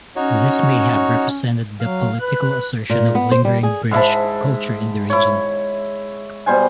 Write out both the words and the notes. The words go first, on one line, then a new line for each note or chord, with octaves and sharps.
This may have represented the political assertion of lingering British culture in the region.
C#4 D#4 F#4 C#5
F#3 F5
B4 F#6
A#2
B3
C5
G3
G#4
G#2 E4 E5 A5
E4 C#5
B2 G3 C5 G#5